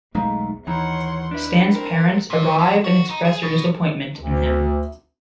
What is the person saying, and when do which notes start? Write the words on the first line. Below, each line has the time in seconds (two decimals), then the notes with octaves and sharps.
Stan's parents arrive and express their disappointment in him.
0.15 B1 E2 G#3 A3 D#4 F5
0.67 D#2 E3 D#4 C#5 F#5 C6
1.31 D4 E4 B4
1.70 C4 A#4
2.30 A#2
2.58 F2
2.84 F#4
3.10 D#4
3.25 G#4
3.43 B2
4.21 D2